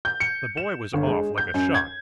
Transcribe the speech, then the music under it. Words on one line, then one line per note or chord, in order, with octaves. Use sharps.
The boy was off like a shot.
G6
C#7
E7
G1
G#3
G6
F#2
G#6